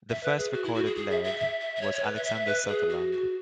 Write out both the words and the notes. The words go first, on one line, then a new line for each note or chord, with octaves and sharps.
The first recorded laird was Alexander Sutherland.
E5
B4
G#4
F#4
E4
F#4
G#4
G#4
E5
E5
E5
E5
E5
C#5
C#5
B4
E5
E5
B4
G#4
F#4
F#4